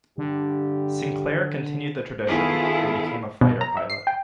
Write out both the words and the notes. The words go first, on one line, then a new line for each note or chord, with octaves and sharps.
Sinclair continued the tradition and became a fighter pilot.
G2 D3 G4
D#3 B3 E4 F4 G#4 A4
B2
A#5
E5
C7
G5